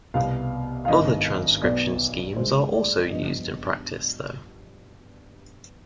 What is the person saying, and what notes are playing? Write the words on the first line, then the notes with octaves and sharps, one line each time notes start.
Other transcription schemes are also used in practice, though.
C2 B2 B3 F5
F5
G#1 G2 D#3 B3 D#5
B1 B2 B3 D5
G2 D3 G#3 C5
D5
G2 F3 B3 D#5